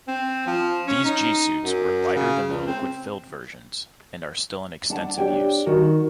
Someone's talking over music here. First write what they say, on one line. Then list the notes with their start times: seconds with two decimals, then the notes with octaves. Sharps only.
These g-suits were lighter than the liquid-filled versions and are still in extensive use.
0.08 C4
0.47 F3
0.87 C#4
1.05 D#4
1.62 F#2
2.15 C#3
2.47 C#2
2.67 C4
4.90 D4 F#5 A5
5.18 D4 G4 C#5 G5
5.66 D#3 F#4